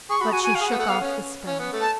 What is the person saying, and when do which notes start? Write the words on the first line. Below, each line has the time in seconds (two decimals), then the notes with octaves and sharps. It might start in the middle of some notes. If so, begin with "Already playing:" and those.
But she shook off the spell.
0.10 G#4 C#6
0.21 F#4 B5
0.32 F#4 G#5
0.43 F#4 G#5
0.55 F5
0.61 G#4
0.67 F#5
0.72 B3
0.78 A3 F#5
0.89 B3 F5
1.01 C#4
1.47 C#4
1.59 B3
1.73 A3
1.81 A5